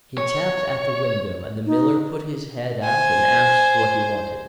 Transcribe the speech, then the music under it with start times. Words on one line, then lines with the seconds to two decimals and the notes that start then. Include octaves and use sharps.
He tapped at the window, and the Miller put his head out and asked what he wanted.
0.18 C#5
1.66 D#4
2.83 C5 G#5